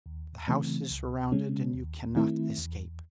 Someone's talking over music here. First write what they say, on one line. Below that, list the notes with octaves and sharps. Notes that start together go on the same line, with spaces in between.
The house is surrounded, and you cannot escape.
D#2
C#3 E3 A3 C4
C#2
C#3 G#3 C#4
D#2
D#3 A3 C4 E4
E2